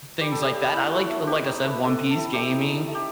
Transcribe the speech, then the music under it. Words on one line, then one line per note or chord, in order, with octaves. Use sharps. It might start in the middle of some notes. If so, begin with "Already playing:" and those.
things like that. I like like I said, One Piece, gaming,
G3 G4
A4
G3 G4
B3
E4
A3 F#4
A3
C4 G4
D#4
A3 B4
A3
A4
C4
A4
E4
A3 G4
D#4
D#4
A3
G4